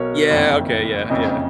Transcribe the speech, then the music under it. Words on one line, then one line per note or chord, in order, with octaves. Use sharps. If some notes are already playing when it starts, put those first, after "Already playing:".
Yeah, okay. Yeah, yeah.
Already playing: B1 B2 A#4 C#5
F#1 F2 D#3
F#1 F2 C#3 D#5